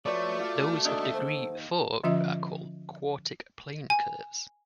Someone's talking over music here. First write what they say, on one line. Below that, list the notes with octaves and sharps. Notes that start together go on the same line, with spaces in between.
Those of degree four are called quartic plane curves.
F3 A3 F#4 B4 C#5 D5
F4 D5
D#2 D4 A4 D#5
D#2 C5
D3 F3 C#4 F4 D#5 E5
G#5